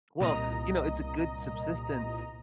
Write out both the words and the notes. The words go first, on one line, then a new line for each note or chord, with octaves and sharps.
Well, you know, it’s a good subsistence,
C2 A#2 D#5 A#5